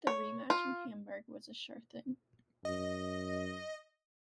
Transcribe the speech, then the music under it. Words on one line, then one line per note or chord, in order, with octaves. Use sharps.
The rematch in Hamburg was a sure thing.
C#5
F4
F#2 D#5